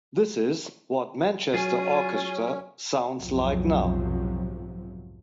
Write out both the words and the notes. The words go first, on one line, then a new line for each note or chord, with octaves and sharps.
This is what Manchester Orchestra sounds like now.
F#3 C#4 F4 G#4
B1 F2 G#2 C3 F3 F#3